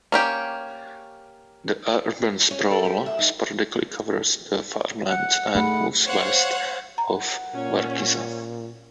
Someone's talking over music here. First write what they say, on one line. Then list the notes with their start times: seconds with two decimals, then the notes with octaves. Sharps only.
The urban sprawl sporadically covers the farmlands and moves west of Varkiza.
0.12 A#3 C#4 G4
2.51 C#4
2.71 A4
2.85 G4
3.06 E5
3.19 D#4
5.08 F#5 F#6
5.55 A3 D#4 G#4 F#5 B5
6.07 C5 C#5 F5 F#5
6.98 F#5 A#5
7.54 A#2 C#4